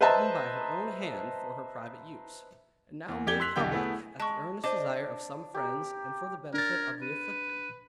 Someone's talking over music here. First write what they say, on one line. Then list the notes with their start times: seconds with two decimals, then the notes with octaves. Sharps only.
Written by her own hand for her private use, and now made public at the earnest desire of some friends, and for the benefit of the afflicted.
0.01 B4 C5 D#5 E5 A5 A#5
3.08 E2
3.27 F2 G4 D5 G#6 G7
3.40 C6 E6 F#6 B6 F7
3.56 B1 E2 D3 G4 G5 G6
3.72 A3 B3 E4 G#4
4.20 G#3 A5 C#6
4.64 D4 C5 D#5 A5 D6
5.54 G4 A#4
6.54 D4 A#4 G#6 A6
7.02 B4 D#7